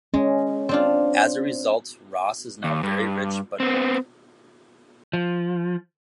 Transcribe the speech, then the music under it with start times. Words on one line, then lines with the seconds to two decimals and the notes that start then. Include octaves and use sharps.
As a result, Ross is now very rich but old.
0.14 G#3 C#4
0.69 C4 D4 F4
2.64 D#2
2.83 G2
3.60 B3 C4
5.13 F3